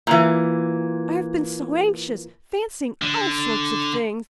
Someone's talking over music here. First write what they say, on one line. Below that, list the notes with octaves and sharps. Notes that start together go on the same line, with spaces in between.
I have been so anxious, fancying all sorts of things.
A#2 E3
D3